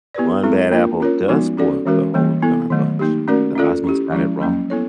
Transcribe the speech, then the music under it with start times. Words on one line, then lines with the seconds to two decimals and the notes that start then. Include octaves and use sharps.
One bad apple does spoil the whole darn bunch. The Osmonds got it wrong.
0.15 B3 E4 G4 B4 D5
0.43 G#3 C4 E4 A4
0.72 A#3 D4 F4 A#4
1.00 C#4 F4 A#4 C#5
1.28 F3 G#3 B3 D#4 F#4
1.57 C#4 F#4 A4 D5
1.85 E3 G#3 C#4 F#4 A#4
2.14 E3 G3 A#3
2.42 B3 E4 A4
2.70 D#3 F#3 A3
2.99 A#3 D#4 G4
3.28 A3 C#4 F#4 A#4 D5
3.55 C#4 F4 A4 D5
3.84 C#4 E4 G4
4.13 F3 G#3 C#4 E4
4.41 F#3 A#3 C#4
4.70 B3 E4 A4 C#5